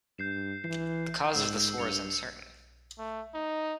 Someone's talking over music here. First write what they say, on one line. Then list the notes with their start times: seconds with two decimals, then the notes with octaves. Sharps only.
The cause of this war is uncertain.
0.18 G2 G6 C7 E7
0.64 E3 C7
1.35 G#2 E6
1.78 G2 C#7 F7 G7
2.98 A3
3.34 D#4